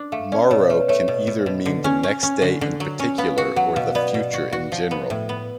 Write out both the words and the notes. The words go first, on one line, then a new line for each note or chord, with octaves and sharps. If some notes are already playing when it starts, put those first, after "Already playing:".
Morrow can either mean the next day in particular, or the future in general.
Already playing: D4
A3 F5
C#4 D5
B2 C#5
A3 B4
A3 C#5
B2
B2
B2
D3
C#4
C#4
C#4
D3
D3
F#3
C#4
B3 F5
F#4
F#3 F#5
B2 F5
B3 D5
B2
F#4
F#4
F3
B3
A2
B3